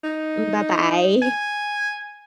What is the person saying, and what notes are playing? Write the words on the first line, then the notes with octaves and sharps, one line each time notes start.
M Bye-bye.
D#4
G#5